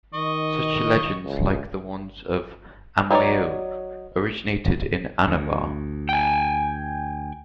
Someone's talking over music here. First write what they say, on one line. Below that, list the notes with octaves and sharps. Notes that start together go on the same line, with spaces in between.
Such legends like the ones of 'Amwieob' originated in Anabar.
D#3 D#5 C#6
C#2
F#3 D#4 G#4 C#5 D5
D2
G5 G#5